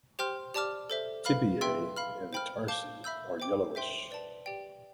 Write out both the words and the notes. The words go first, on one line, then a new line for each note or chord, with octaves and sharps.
Tibiae and tarsi are yellowish.
G4 C5 G5 C6 F6
G4 D5 A5 D6 F6
A4 C5 E5
B4 F5 B5 F6
B4 E5 G5 C6 E6
F5 B5 F6
C5 G5 B5 F6
F5 A5 D6 G6
E5 B5 E6 G6
C5 G5 D6
C5 E5 G5 C6
B4 D5 A5
G4 D5 G5